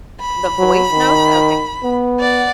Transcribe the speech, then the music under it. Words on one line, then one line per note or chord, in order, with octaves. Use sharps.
the voice notes? Okay.
B5
F#3
D#3
B3
D5 F#5